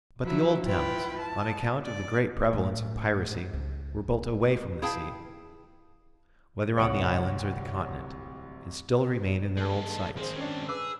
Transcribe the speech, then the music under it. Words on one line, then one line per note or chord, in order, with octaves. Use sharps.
But the old towns, on account of the great prevalence of piracy, were built away from the sea, whether on the islands or the continent, and still remain in their old sites.
F3 F#3 E4
E4 F4 B4 G5
A5
D5
A2
C#2
E4 G#4 F5 G5 A5
D1 C2 C#5 F#5 D7
G#3 A4
D#3 C4 G#4 C5
C#4 D4
G#4 B4 D6 E6